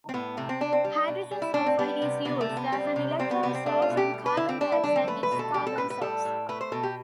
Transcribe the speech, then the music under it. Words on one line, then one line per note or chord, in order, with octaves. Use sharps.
Hydrogen sulfide is used as an electron source and carbon dioxide its carbon source.
C4
A2 B3
C3 A3
C4
C3 D4
C4
G3
B2
G3
E4
A2 D4
C4
G3 B3
C3
C3 B3
A3
C3
B3
G3 C4
C3
G3 C4
B3
C3 B3
C4
A3 D4
F4
B2
G4
G3
B4
D3 E4
C4
G3 D4
E4
D3 D4
C4
A3 B4
B4
B2
A4
G3 G4
A4
A2 B4
B4
G3 A4
A2
A3 B4
C5
B2 A4
G4